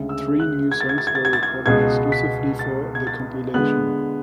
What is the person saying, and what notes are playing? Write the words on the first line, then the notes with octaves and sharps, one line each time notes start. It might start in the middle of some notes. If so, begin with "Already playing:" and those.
Three new songs were recorded exclusively for the compilation.
Already playing: D2 C#3 G#3
E6
F#6
G#6
A6
G#6
A6
G#6
A6
G#6
A6
G#6
C#2 B2 G#3 B3 G#6
B6
A6
G#6
A6
D3 G#3 B3 F#6